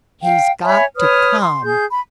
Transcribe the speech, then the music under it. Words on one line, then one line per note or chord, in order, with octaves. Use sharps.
"He's got to come!"
F5 G5
C#5 E5 G#5 B5
B4 C#5 D#6 F6
C6
G#4 G6
B5